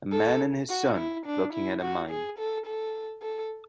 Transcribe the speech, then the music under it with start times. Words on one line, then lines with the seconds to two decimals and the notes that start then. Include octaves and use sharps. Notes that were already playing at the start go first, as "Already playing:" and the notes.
A man and his son looking at a mime.
0.12 A4
0.69 F#4
0.97 E4
1.25 D4
1.53 E4
1.81 F#4
2.10 G#4
2.38 A4
2.66 A4
3.22 A4